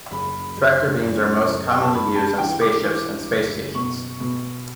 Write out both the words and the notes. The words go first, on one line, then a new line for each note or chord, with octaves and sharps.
Tractor beams are most commonly used on spaceships and space stations.
F#1 B5
F#1
F#2
F#1
G5
A5
F#2 B5
A5
E3 G5
D6
E3
F#1
B2 C#6
B2